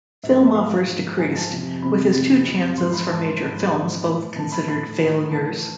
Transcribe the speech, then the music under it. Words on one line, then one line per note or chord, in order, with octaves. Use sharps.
Film offers decreased, with his two chances for major films both considered failures.
G#2 F3 E5
E5
G#2 F3 F5
G#2 F3
G#2 F3 G#5
A5
F2 C3 F3
F2 C3 F3 B5
F2 C3 F3
F2 C3 F3
G#2 F3 C6
B5
G#2 F3 A5
G#2 F3
G#2 F3
A2 F3 B5
A2 F3 A5
B5
A2 F3 B5
A2 F3
A2 E3 A5